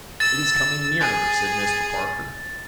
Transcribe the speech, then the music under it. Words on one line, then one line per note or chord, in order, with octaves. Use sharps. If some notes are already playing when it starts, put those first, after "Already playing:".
"It is coming nearer," said Mr. Parker.
E6 A6
G#4